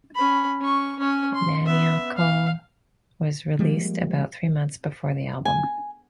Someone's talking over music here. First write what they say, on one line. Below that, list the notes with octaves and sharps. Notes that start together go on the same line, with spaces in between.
"Maniacal" was released about three months before the album.
C#4 B5
C#4 C#6
C#4 C#5
C6
B3 E5
F5
F3 G3 G#3 A#3
G#5